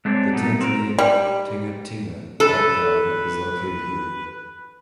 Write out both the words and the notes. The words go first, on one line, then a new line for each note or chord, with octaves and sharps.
The Tanzanian Tingatinga Art Gallery is located here.
G#3 A3 C4 D4 C#5 D5
G2 B2 F#3 A3 B3 D#4
C4 A#4
G3
A4 B4